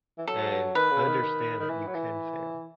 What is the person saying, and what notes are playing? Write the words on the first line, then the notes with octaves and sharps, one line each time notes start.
and understand that you can fail,
E3
F#3 A4
F#3
D#3 B4
C#3
D#3
D#3
D#3
E3
F#3
E3